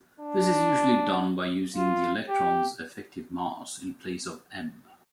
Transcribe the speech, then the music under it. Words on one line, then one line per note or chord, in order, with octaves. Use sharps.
This is usually done by using the electrons' effective mass in place of "m".
D4
F4
G4